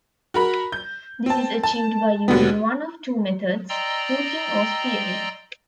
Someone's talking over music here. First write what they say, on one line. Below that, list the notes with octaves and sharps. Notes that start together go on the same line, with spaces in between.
This is achieved by using one of two methods, hooking or spearing.
F#4 A#4 B5
G6
C4 A5
A5
D#2 B2 D3 B3
D5 D#5 G5 A#5 C6 E6